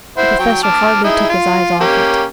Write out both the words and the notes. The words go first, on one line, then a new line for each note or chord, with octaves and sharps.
The Professor hardly took his eyes off it.
E4 C5 F#5
F#3 G5
A5 D6 F6
D#4 E4 G#4
F4
A#3 C#4 G4